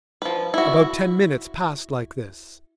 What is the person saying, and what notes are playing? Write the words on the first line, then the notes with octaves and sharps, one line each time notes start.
About ten minutes passed like this.
F3 B4
E4 F#4